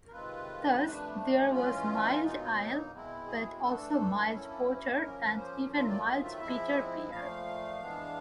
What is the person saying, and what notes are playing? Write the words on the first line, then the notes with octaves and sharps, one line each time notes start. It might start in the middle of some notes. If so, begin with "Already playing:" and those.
Thus there was Mild Ale but also Mild Porter and even Mild Bitter Beer.
A#4
C3 D#3 G#3 C4 F4 B4
C3 F3 A3 D4
E3 G#3 C#4 F4
B2 F#3 A#3 D#4
B2 G#3 C4 E4
G#4
A2 E3 A3 D4 A4
F#3 A#3 C#4 E4
F3 A#3 C#4 A#4
A#4
B4
C5
D#3 F#3 A3 C4 F4 C5
D5
D#5
E5
F3 G#3 C4 E4
A#2 F3 A3 F5
E3 G#3 B3 D4